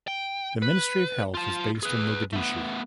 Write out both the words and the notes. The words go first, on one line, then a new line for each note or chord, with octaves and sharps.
The Ministry of Health is based in Mogadishu.
G5
B4
F4 A5
G#4 B4
A3 B3